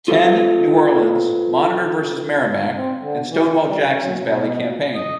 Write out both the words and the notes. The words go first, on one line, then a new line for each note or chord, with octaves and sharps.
Ten, New Orleans, "Monitor" versus "Merrimac", and Stonewall Jackson's Valley Campaign.
F4 A4 B4 C5 F5
C4
D3
E3
G3
C#4
F#3
B2
D#5